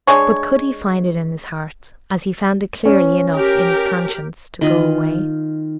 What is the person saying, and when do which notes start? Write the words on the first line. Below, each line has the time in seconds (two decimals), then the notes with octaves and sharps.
But could he find it in his heart--as he found it clearly enough in his conscience--to go away?
0.07 G#3 D4 G#4 C#5
2.85 C#4
3.34 G4 A#4
4.61 D#3 F4 D#5